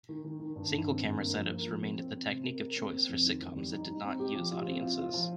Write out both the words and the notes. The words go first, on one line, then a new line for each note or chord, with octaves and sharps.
Single-camera setups remained the technique of choice for sitcoms that did not use audiences.
D#3
D#3
D#3
G2
D#3
C4
G2
A#3
F3
A#3
F3
C4
C4
C4
C3
A#4
A#4
C4
C4
F2
D#3
F2
G3
D#4
D#4
C4
G4
F3
F4
C4
F4
F4
F3